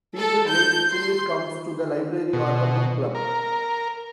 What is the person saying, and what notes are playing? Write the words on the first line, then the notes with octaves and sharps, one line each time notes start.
People wait till it comes to the library or the book-club.
A4
G6
C6
B2
A#4